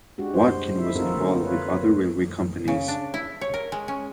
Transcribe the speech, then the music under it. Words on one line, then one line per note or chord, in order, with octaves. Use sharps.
Watkin was involved with other railway companies.
G#3 D4 F#4 G4
C5
E4 E5
C4 D#4 F4 F#4 A4 A#4
D3 A3 A#3
F4 B4 C#5
C#3
D4
E4
C#5
A#4
G#3
C#4